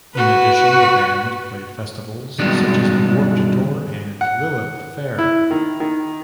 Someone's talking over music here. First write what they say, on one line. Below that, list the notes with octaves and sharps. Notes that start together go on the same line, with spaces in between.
In addition, the band played festivals such as the Warped Tour and Lilith Fair.
F#4 B4
G2 B2 D#3 F#3 G#3 D4
F#5
E4
D#3
D#3